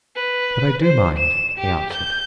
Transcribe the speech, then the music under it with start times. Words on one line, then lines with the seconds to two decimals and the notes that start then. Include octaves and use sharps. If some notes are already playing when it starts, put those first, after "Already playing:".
"But I do mind," he answered.
0.16 B4
0.82 C5
1.18 E7
1.58 G4
1.92 G6